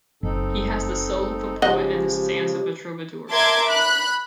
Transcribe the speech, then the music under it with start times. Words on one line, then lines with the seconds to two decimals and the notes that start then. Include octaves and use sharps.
He has the soul of a poet and the stance of a troubadour.
0.23 F#1 C4 D#4 A4
1.62 C#3 F3 G#3 D#4 G4 D#5 F#5
3.30 A#4 E5 A5 C6 D6 G#6
3.70 B5 F#6